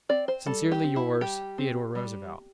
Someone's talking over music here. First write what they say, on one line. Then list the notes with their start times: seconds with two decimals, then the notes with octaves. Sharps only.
Sincerely yours, THEODORE ROOSEVELT.
0.09 C4 D5
0.28 C5
0.46 G3 A4
0.72 G4
0.84 C4
0.96 E4
1.21 G3 G4
1.58 C4
1.95 G3